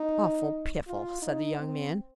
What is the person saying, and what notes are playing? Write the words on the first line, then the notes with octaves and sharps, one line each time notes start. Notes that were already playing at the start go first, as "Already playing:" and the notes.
"Awful piffle," said the young man.
Already playing: D#4
F4
D#4
C4